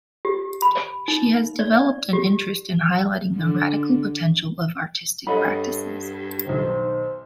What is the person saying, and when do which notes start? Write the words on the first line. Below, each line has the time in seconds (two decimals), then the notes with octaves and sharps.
She has developed an interest in highlighting the radical potential of artistic practices.
0.25 G4
0.62 B5
1.08 D#4
1.59 D5
2.13 G4
3.37 D3
5.27 G2 A4 C#5 D#5 F#5 B5
6.46 B1 D#3 C5